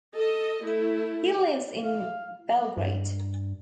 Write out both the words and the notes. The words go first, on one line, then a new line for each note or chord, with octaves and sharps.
He lives in Belgrade.
A4 D#5
A3 E4
F5
G2